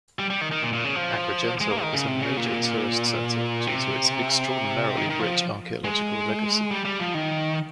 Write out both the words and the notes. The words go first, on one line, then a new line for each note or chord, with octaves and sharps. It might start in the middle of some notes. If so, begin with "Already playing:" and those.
Agrigento is a major tourist centre due to its extraordinarily rich archaeological legacy.
G3
G3
D#3
D#3
A#2
A#2
C#3
F3
G#3
A#3
D#3
C#3
C3
C#3
A#2
C3
D#3
D#3
F3
G#3
G3
G3
F3
D#3